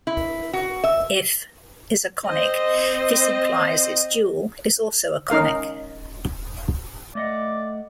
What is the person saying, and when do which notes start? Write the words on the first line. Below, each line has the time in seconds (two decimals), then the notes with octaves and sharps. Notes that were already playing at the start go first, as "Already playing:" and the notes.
If is a conic this implies its dual is also a conic.
0.07 E4
0.53 F#4
0.84 E5
2.26 C4 C5 D#5
5.30 C#4 D#4 A#4 F5
7.15 A3 D5 D#5 F#5